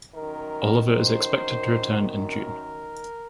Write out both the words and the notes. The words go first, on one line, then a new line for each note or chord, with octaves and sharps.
Olivier is expected to return in June.
F#2 D#3 A#4
C5
A#4